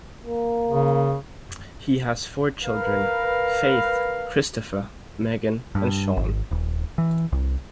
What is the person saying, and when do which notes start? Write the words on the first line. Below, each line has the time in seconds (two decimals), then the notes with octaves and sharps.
He has four children, Faith, Christopher, Megan, and Sean.
0.24 A#3
0.68 C#3
2.62 A#4 B4 F5
5.75 G2
6.17 G#1
6.51 D#1
6.98 E3
7.32 C2